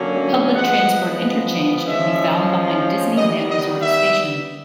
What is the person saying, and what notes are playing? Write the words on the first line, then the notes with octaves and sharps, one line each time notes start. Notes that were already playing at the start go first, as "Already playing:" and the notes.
A public transport interchange can be found behind Disneyland Resort Station.
Already playing: D3 F#3 A#3 C#4
F3 G#3 B3 F#5
F3 G#3 C#4 E5
D#3 G3 B3 D#5
D#5
E5